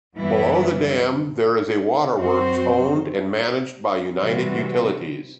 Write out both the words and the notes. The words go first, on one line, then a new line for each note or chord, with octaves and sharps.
Below the dam there is a waterworks owned and managed by United Utilities.
F#2 E3 G3 B3 E4
F#2 F#3 C4 F#4 C5
C3 E3 G3 C4 F#4